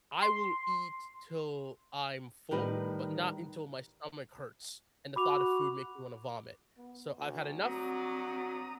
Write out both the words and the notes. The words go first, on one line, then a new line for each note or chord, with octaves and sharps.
I will eat till I'm full, but not until my stomach hurts and the thought of food makes me wanna vomit. So, "I've had enough.
C6
A2 D#3 G3 B4
F#4 B5 D6 F7
B3
D2
G2 F#3 C4 F#4 D5 A#5 D#6